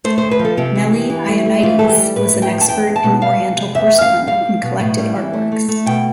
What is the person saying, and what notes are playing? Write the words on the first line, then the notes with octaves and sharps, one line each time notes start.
Nellie Ionides was an expert in Oriental porcelain and collected artworks.
A3 C5
C5
D2
B4
F3
A4
C3 G4
E3
E2
E3
A3
A3
E3 F4
E3 A4
G4
G3
A2 B4
A2
G5
F3
A5
E2 G5
E2
A5
B2
G3 F5
E2
C3
E2 E5
E2
F5
E2
G3 F5
G3
B2
A2
G3
E3
A3
A3
A3
B2 G5